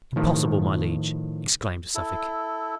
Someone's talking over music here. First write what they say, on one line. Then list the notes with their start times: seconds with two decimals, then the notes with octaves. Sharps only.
"Impossible, my liege?" exclaimed Suffolk.
0.16 A2 D#3 F3
1.95 E4 A4